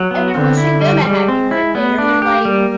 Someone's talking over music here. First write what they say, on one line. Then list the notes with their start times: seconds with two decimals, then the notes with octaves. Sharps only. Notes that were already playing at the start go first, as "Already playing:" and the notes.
and they're wishing them a happy birthday, or they're, like,
Already playing: F#3
0.11 B3
0.34 D3 C4
0.57 E4
0.81 G3
1.05 G3 G#3
1.29 C4
1.51 E4
1.75 A3 B3
1.98 D4
2.22 G4
2.45 G3 A#3